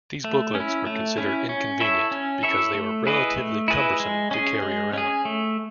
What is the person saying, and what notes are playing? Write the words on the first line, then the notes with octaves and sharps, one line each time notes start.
These booklets were considered inconvenient, because they were relatively cumbersome to carry around.
A3
C#4
E4
A3
C#4 E4
C#4
E4 A4 C#5 E5
C#4
E4 A4 C#5 E5
A3
E4 G#4 B4 D#5
A3
E4 G#4 B4 D#5
G#3
C#4 G#4
G#3
C#4 G#4
A3